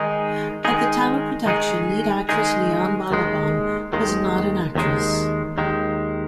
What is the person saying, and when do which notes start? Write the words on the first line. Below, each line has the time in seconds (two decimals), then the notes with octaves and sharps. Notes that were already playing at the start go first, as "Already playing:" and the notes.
At the time of production lead actress Liane Balaban was not an actress.
Already playing: D#3 G#3 D#4 G#4
0.65 D#3 G#3 D#4 G#4
1.46 D#3 G#3 D#4 G#4
2.29 D#3 G#3 D#4 G#4
3.11 D#2 D#3 G#3
3.93 D#2 D#3 G#3
4.75 D#2 D#3 G#3
5.58 D#2 D#3 G#3